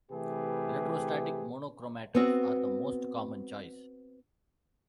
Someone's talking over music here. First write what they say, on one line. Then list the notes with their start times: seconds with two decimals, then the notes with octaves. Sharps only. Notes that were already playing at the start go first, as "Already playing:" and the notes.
Electrostatic monochromators are the most common choice.
0.12 C3 E3 A3 G4 G#4 B4
2.15 B3 C4 F#4